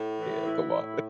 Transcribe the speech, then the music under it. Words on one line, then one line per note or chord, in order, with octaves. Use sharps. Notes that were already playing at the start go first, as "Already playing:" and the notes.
Yeah, come on.
Already playing: A2
E3
E4
A2